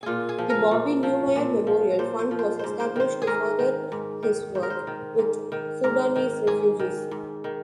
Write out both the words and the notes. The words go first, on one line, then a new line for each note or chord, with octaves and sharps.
The Bobby Newmyer Memorial Fund was established to further his work with Sudanese refugees.
A#2 F4 G#4
G#4
F3
A#4
A#2
F3
A#2
F3
A#2 C5
C5
F3
C5
G#2 C5
C5
D#3 C5
G#4
G#2 A#4
D#3
G#2
D#3
G#2 C5
A#4
C5
D#3
G#2
D#3
G#2 A#4
D#3
G#2 G#4
D#3
G#2
D#3